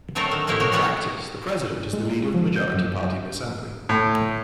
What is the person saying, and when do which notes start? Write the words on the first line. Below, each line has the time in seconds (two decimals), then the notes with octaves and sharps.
In practice, the president is the leader of the majority party in the Assembly.
0.15 D3 F#3 A3 C4 A4 A#4
0.31 D#3
0.47 A2 D#3 A#3 E4 G4
0.60 F#4 A#4
0.72 F3 G3 B3 F#4 C#5
1.93 G#3
2.34 F3
2.56 G6
2.74 F#2
3.89 A2